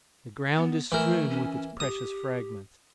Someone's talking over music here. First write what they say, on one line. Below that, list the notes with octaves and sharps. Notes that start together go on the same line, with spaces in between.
The ground is strewn with its precious fragments.
B3
E3 A3 A#4
C#4
G4 D#6